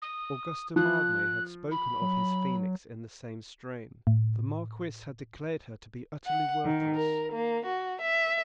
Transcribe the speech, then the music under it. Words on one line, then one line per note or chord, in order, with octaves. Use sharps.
Augusta Mildmay had spoken of his Phoenix in the same strain. The Marquis had declared her to be utterly worthless.
D#6
F3 F#6
B5
F#3
A2
F#5
D#3
A#4
A#3
F#4
E5